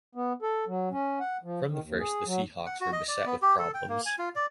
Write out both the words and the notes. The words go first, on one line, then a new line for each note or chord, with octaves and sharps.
From the first, the Seahawks were beset with problems.
B3
A4
F#3
C#4
F#5
F3
D#3
D#2
G#4
F#3
F#5
F#4
D#5
D5
B3
G4
A4
G5
A#3
G#5
F4
D5